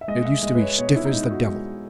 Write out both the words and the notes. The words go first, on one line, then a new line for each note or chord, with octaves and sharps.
It used to be stiff as the devil.
E5
G#3 D#5
E5
G#3 D#5
B4
C#5
B2 C#5
E4
D#4
G#3 E4
F#4
G#3